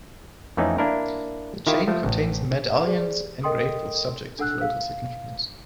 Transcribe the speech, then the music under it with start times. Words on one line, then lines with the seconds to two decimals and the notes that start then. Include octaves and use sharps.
The chain contains medallions engraved with subjects of local significance.
0.57 F2 E3 A3 C4 C#4 D#4
0.78 A#3 D4 E4 A#4
1.67 D#3 E4 F4 G4
1.88 F3 A3
2.05 A1
2.84 G4 G#4 C5 D5
3.43 A4 A#4 D#5 G5 C6 D#6
4.39 D4 A4 F#5 E6 F#6
4.61 F5